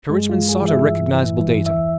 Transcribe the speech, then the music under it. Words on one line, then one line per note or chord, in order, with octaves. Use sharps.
Sir Richmond sought a recognizable datum.
G2 G#3
F4
E3
G#4
E3
E5
G2
E3
E3
E2 E5